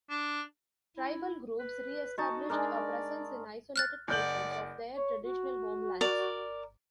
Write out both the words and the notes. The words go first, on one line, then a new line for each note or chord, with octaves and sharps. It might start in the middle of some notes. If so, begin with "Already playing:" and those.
Tribal groups reestablished a presence in isolated portions of their traditional homelands.
D4
E4
B4
D#4 F#4 A5 C#6
G#3 D4 A#4 D5
F6 F#6 A6
F#1 D5 F#5 G6 F#7
C#5
F#4
A#4 D5